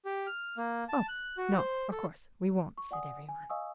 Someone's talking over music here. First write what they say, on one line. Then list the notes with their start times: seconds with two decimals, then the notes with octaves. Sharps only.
'Oh, no, of course we won't!' said everyone.
0.05 G4
0.27 F6
0.57 A#3
0.89 A5
1.08 F#6
1.37 F#4
1.58 C5
1.91 A4
2.78 C#6
2.91 D5 F#5 G#5 D#6
3.29 G#5
3.50 D#5 F5 G#5 C#6 D#6 E6